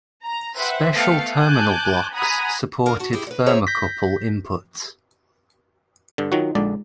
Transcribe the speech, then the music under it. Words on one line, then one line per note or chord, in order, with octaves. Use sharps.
Special terminal blocks supported thermocouple inputs.
A#5
B4 C5 E5 F#5 G5
A3 B3 A4 F5 G5 C#7
G#5 A5 D6 F#6 G6
F#5 G#5 A#5 B5 D#6
D3 A#4 F5
F#4 A5
E4 G4 G#4
G3 B4
G#4 C5 C#5 E5 A#5
G6 A#6 B6
G2 D3
D#3 F#3 D#4 F4 F#4
A#1 D3 G#3 D5